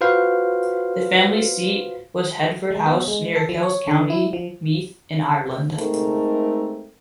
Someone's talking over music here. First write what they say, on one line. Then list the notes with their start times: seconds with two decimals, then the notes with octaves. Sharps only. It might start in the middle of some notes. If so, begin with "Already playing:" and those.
The family seat was Headfort House, near Kells, County Meath in Ireland.
0.01 F4 F#4 B4 C5 F5
2.71 G#3
2.86 B3
3.08 G#3
3.36 A4
3.49 F3
3.63 C#5
3.88 D3
4.10 E4
4.33 F3
5.77 G#3 A3 C4 D#4 A4 A#4